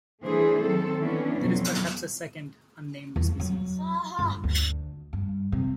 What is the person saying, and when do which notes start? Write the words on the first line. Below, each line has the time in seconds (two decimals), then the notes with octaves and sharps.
There's perhaps a second, unnamed species.
0.23 E3 A3 D4 G#4 C5
0.60 D#3 F#3 C4 A4
1.01 E3 B3 C#4 D4
1.38 F2 B2 F#3
3.16 E2
3.40 F#3
4.19 G1
4.44 D2
5.13 G2
5.52 C3